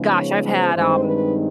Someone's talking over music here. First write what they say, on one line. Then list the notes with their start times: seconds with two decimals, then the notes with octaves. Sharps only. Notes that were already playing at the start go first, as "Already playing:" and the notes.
gosh, I've had, um
Already playing: C#3 F3 G#3 B3 D#4
0.15 C#5
0.44 C5
0.74 G2 D#3 G#3 C4 D#4 C5
1.04 B4